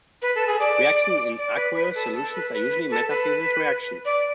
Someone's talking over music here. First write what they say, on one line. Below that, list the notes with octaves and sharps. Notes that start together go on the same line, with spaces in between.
Reactions in aqueous solutions are usually metathesis reactions.
B4
A4
G#4
D5
D5
B4
B4
A4
A4
B4
B4
A4
B4
D5